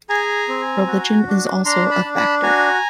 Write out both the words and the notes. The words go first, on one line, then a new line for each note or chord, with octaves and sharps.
Religion is also a factor.
G#4 G#5 A#5
C4
F#4
D4
D4 A#5 C6
A5 B5
D4
A5 B5
F#4 G#5 A#5